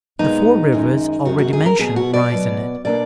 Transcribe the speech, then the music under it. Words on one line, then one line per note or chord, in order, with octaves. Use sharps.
The four rivers already mentioned rise in it.
A#2 G#3 B3 D4 D#4
F#2 D#3 G#3
F#2 D#3 G#3 F#4
F#4
G#4
A#4
B2 F#3 B3 G#4
F#4
D5
B2 F#3 B3
B2 A#3 D4 D5